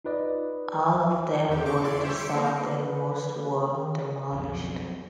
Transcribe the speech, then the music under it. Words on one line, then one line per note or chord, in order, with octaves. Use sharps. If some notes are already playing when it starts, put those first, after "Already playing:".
All of them were dissolved, and most were demolished.
D#4 F4 B4 D5 D#5
E2 C3 G4
A#2 C4 C#6 D6
E3 D5 C6 D7
G3 G4 C5 C#5 E5
E6 C#7 D7
A#3 C4 D#4 A#4
B4
D#3
B1 F2